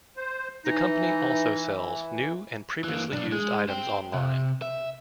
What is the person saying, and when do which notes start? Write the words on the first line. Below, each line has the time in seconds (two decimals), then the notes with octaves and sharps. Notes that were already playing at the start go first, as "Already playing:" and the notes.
The company also sells new and previously used items online.
0.17 C5
0.65 E3 D#4
2.84 E3 A#3
3.12 B1 D4
3.32 G#3
3.68 C5 G5
4.14 C3
4.62 E5